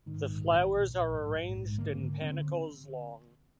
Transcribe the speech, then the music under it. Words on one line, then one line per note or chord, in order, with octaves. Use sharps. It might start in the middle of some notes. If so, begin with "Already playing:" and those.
The flowers are arranged in panicles long.
G#2 D#3
A#1
A#1
A#1
A#1
G#2
G#2
G#2
D3 A#3
D3
D3 C4